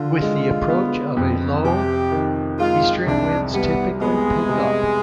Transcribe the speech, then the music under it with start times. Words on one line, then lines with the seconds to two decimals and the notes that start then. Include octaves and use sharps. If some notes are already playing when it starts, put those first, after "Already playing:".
With the approach of a low, easterly winds typically pick up.
Already playing: D3 F4
0.22 G#3
0.70 B3
1.17 F2
1.64 C3 G4
2.12 D#3
2.59 G#3 F4
3.07 C2 D4
3.54 G3 B3
4.01 G#3 B3
4.49 C3